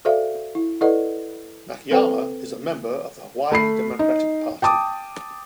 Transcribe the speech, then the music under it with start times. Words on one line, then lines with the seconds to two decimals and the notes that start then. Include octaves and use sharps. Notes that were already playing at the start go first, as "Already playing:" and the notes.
Nakayama is a member of the Hawaii Democratic Party.
0.05 F#4 A4 C5 D5 E5 F5
0.55 E4
0.81 E4 A4 B4 D5 D#5 F#5
1.91 C4 A4 B4 C5 G5
3.52 A3 B5 C7
3.99 D#4
4.62 G5 A5 D6 D#6